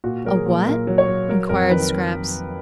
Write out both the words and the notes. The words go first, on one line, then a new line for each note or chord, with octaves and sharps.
"A what?" inquired Scraps.
A#2 F#4
F#3 A#4
G#4
A#2
A#2 A#4
F#3
C#5
F#3
F#3 A#4
F2 A#4
D#3 B4